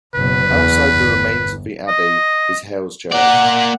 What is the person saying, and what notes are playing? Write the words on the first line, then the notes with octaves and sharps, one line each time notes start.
Outside the remains of the Abbey is Hailes Church.
F#1 B2 B4
E2
G1
D#5
A#3 D5 F#5